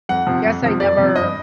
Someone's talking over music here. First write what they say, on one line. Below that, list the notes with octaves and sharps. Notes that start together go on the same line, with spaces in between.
guess I never
F2 F#5
C3 F3
F2
C3 F3
F2 D5
C3 F3
G2 D#5